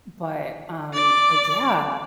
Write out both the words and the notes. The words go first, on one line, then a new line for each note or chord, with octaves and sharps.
But, um, but, yeah.
D5